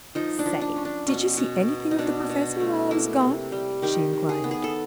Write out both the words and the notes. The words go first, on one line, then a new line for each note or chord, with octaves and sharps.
"Say! did you see anything of the professor while I was gone?" she inquired.
F3 D#4
D4
F3
D4
C#4
D4
B2 C#4
B2
B3
D#4
B2 D4
B2
A3
A#3 E4
C3
G3
D#3 G4
D#3
G#4
B3
G#4
A4